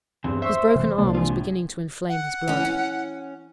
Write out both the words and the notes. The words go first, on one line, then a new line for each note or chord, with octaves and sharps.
His broken arm was beginning to inflame his blood.
E2 G2 E3 C4
C5 E5 C#6 E6
C3 E3 G#3
C2 C3 G#3 A#3 D4
E3 F4
A2
F#5
E3 C#4
C#4